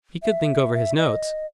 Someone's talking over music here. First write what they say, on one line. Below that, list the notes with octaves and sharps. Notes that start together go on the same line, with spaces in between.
He could think over his notes....
E5
E5
D#5